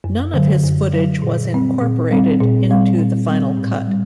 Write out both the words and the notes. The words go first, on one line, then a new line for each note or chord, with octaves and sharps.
None of his footage was incorporated into the final cut.
F#2
D3 F#3
F#2
D3 F#3
A#2
G3 C4
A#2
G3 C4
A#2
G3 C4
A#2
G3 C4
A2
G3